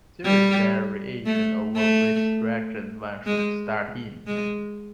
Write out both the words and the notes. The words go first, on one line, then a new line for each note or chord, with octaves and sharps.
There is variation over which direction one should start in.
G3
A3
A3
G#3
G#3